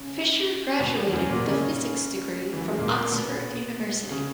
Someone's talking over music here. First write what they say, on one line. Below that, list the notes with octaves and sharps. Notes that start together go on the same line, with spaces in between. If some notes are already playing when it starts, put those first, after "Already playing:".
Fischer graduated with a physics degree from Oxford University.
Already playing: C#3 C#4
B2 B3
E3
F#2 F#3
A#2 A#3
C#3 C#4
E3
F#3
G#3
A#2 A#3
B2 B3
C#3 C#4